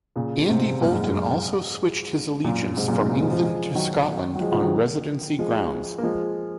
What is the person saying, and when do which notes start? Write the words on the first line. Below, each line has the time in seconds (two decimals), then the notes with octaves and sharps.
Andy Boulton also switched his allegiance from England to Scotland on residency grounds.
0.16 A#2 C#3
0.48 G#2 C3
0.81 F#2 A#2
0.92 G#2
1.04 F#2
1.14 G#2
2.44 F#2 A#2
2.77 G#2 C3
2.88 F#2 A#2
2.99 G#2 C3
3.10 A#2 C#3
3.21 F3 G#3
3.31 F3 G#3
3.43 F3 G#3
3.75 D#3 F#3
4.35 F#3
4.41 F3 G#3
4.52 C#3 F3
4.62 D#3 F#3
5.39 F3 G#3
5.98 A#3
6.03 F3 G#3